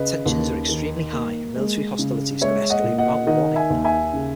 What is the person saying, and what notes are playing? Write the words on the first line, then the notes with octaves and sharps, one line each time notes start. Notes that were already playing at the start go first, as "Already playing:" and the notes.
Tensions are extremely high and military hostilities could escalate without warning.
Already playing: C#3 B4 D#5
D#2
D#3
A#3
G#3
C#3
G#3 C#5 E5
D#5 F#5
A#2
D#5 F#5
D#3 D#5 F#5
E5 G#5
D#2
E5 G#5
C#3